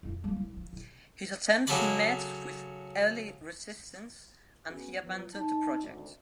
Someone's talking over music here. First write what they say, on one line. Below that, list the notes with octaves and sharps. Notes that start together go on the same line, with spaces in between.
His attempts met with early resistance, and he abandoned the project.
F2 F4
G3 A#3
C2
E3 F3
C3
C#3 F#3 A3 A#4 D5 B5
B3 C#4 F#4 G#4
F3 F#3 B3
D#4 A5
G#1 D2